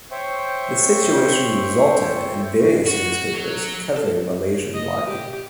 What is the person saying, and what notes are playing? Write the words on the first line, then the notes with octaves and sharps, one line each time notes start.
The situation resulted in various newspapers covering Malaysian blogging.
C5 C#5 E5 G5 C#6
F#4
F#3
A4
D#5
G4